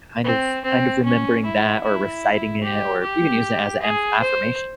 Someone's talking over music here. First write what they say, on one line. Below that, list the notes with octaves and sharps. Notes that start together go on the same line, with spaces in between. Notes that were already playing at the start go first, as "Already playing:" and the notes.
kind of kind of remembering that or reciting it or even use it as a an-affirmation.
C4
C4
C#4
E4
E4
G4
G4
G#4
C5